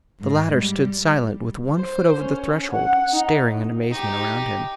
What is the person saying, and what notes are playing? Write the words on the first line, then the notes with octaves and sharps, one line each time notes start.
The latter stood silent with one foot over the threshold, staring in amazement around him.
G#2
G3
C5
C#4
F#5
D#4
D#4 G4